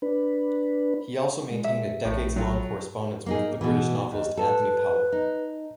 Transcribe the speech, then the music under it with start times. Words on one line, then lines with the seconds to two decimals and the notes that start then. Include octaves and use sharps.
He also maintained a decades-long correspondence with the British novelist Anthony Powell.
0.02 D4 B4
1.51 G#3
1.64 E5
2.05 A#1 A2
2.36 F#3 F4
3.26 A#3 D#4 G#4
3.61 B2 E3
4.11 D#2
4.37 A4 B4
5.12 D#4